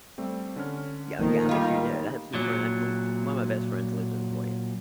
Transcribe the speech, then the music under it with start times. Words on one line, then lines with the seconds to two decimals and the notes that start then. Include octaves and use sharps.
Oh, yeah. I bet you did. I have some friend m t one of my best friends lived in La Jolla,
0.18 G3 A3 C4
0.56 D3 C#4 F6
1.19 D#3 F3 A3 A#3
1.49 G3 F4 G4 D#5
2.34 A#2 F#3